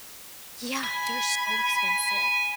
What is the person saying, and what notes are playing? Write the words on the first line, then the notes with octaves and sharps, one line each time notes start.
Yeah, they're so expensive.
G#5 B5